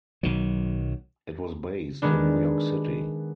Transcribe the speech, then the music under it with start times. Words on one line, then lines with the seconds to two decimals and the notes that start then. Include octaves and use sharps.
It was based in New York City.
0.23 B1 D#3 F#3
2.02 D#3 G#3 B3 D4